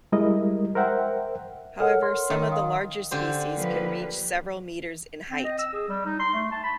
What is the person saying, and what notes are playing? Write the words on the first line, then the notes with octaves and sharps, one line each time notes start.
However, some of the larger species can reach several metres in height.
G3 G#3 E4 A#4 D#5
A#4 C5 E5 F#5 G5
A4 A#4 C#5 F#5 F6
C6
D#3
F5 D#6
D3 G4 C5
F3 A#3 B4
C4
D#5
E6
G#4
G3
D#4
C6
A3
A5
B5